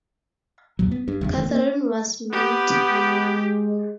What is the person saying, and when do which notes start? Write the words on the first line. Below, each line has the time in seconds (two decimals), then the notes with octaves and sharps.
Catherine was mute.
0.79 E2 A#2 F#3
0.91 B3
1.08 G2
1.21 F1 E2 G2
1.35 D1 E3 A3
1.49 A#3
2.32 B3 G4
2.92 G#3